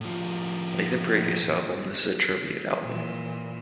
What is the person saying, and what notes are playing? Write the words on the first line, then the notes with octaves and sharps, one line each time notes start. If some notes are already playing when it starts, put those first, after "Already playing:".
Like the previous album, this is a tribute album.
A2 F3
A#2 E3